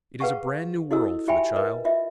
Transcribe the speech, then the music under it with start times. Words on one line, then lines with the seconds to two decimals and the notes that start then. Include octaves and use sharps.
It is a brand-new world for the child.
0.20 G#4 B4 F5 F#5 A5 C#6
0.91 E4 F#4 A4 D#5 E6
1.28 F4 G4 E5 G5 G#5 B5
1.56 A#4 B4 D#5
1.85 F4 D#5 E5